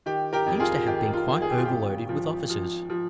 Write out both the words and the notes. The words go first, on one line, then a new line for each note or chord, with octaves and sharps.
He seems to have been quite overloaded with offices.
D#3 G4
G4 A#4
F2
F4 G#4
D#3 G4
F4
D#3
G#4
G4
F4
G#1 G4
F3
F3
F3